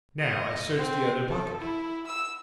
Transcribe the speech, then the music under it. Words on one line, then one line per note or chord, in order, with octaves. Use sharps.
Now I search the other pocket....
D#5
C4
A4
E4
E6